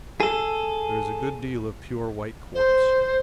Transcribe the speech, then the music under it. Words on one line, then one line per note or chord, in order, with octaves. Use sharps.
There is a good deal of pure white quartz.
G#4 A4
C5